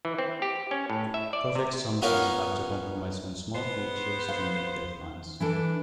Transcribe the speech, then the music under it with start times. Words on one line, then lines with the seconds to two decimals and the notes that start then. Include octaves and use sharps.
Projects sometimes have to compromise on small features to meet deadlines.
0.05 E3
0.19 C4
0.42 G4
0.71 C#4
0.90 A2
1.14 E5
1.33 D5
1.55 C3
2.02 B3 C#4 D#4 F4 A#4 C#5
3.55 B3 C5
4.29 F5
5.40 E3 D4 A4